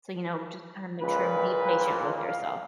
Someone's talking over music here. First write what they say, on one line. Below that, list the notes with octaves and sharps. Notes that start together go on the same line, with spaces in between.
So, you know just kinda make sure, and be patient with yourself.
C#2 A#2 B4
F5